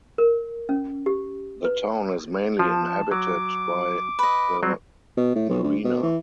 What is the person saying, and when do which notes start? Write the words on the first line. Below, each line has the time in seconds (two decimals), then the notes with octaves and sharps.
The town is mainly inhabited by the Merina.
0.18 A#4
0.69 C#4
1.06 G4
1.65 B4
2.59 F3 A5
3.11 F#3 D6
4.19 B4 D#5
4.63 F#3 G3 C4
5.17 B2
5.36 A2
5.49 B1
5.63 D2
5.84 B2
6.03 E3